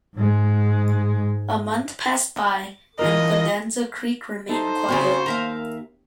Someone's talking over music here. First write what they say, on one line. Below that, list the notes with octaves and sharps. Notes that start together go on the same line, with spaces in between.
A month passed by, and Bonanza Creek remained quiet.
G#2 G#3
E3 F4 A#4 D#5
D#4 A4 C5
C#3 C4 F4 F#4 G#4
D#2 A#4 E5 F5